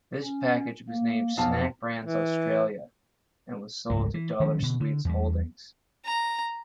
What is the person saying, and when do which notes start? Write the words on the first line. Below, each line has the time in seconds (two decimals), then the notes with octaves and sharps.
This package was named 'Snack Brands Australia' and was sold to Dollar Sweets Holdings.
0.23 C#4
0.90 A#3
1.37 B1 F2 F3 F5 A5
2.05 E3
3.90 F#1 C#2 G#2 F#3
4.14 E3
4.40 D#3 F3 F#3 C#4
4.62 B2 D3
4.80 D3
5.05 E2 G3
6.06 A#5